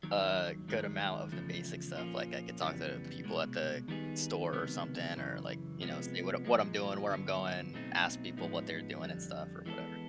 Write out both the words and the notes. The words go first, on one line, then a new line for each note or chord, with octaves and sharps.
a good amount of the basic stuff; like, I could talk to the people at the store or something or, like, you know, say what what I'm doing, where I'm going, ask people what they're doing and stuff or whatever.
D#2 D#3 F#3
F#2 D#3 G#3
E2 C#3 F3 A3
A#2 F3 A#3 C#4 F4
F2 C#3 E3 G3 B3
C2 B2 G#3
D#3 G3 B3 D#4 G#4
C#2 C3 D#3 F#3 B3
F#2 C#3 E3
C3 F3 G#3 B3
A#2 F3 G#3
G2 D3 F#3 B3
B2 F#3 A3 C4 D#4
A2 F3 G#3 B3 D#4
F2 D3 G3
E3 G#3 B3 E4 A4